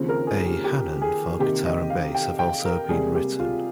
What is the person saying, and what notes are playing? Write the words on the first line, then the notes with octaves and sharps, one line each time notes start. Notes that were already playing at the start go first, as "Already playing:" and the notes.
A "Hanon" for guitar and bass have also been written.
Already playing: D#2 C#3 F3 C4
A#4
G#4
G4
G4
G#4
C3 D#3 A#3 G4
D#5
F5
G5
G5
A#4
C#2 C3 G3 A#3 G#4
G4
F4